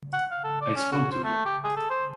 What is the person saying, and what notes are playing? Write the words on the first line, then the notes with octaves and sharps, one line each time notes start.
I spoke to him.
F#5
F5
A4
D5
C#4
F#4
C5
A3
G4
G#4
A4
C5